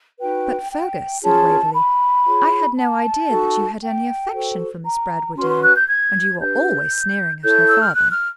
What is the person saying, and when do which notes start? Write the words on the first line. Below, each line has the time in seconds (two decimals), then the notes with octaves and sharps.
'But, Fergus,' said Waverley, 'I had no idea that you had any affection for Miss Bradwardine, and you are always sneering at her father.'
0.19 D#4 F#4 B4 G5
0.71 G5
1.22 C#4 F4 G#4 C#5 A5
1.74 B5
2.26 F4 G#4 C#5
2.78 A5
3.29 D#4 F#4 A4
3.81 G5
4.33 F#4 A4 C5
4.84 A#5
5.36 C#4 F#4 B4 C6
5.49 C6
5.62 F#6
5.75 G6
5.87 G#6
6.39 D4 G4 B4 G6
7.43 E4 A4 C#5 G6
7.67 E6
7.81 F6
7.95 F#6
8.12 F6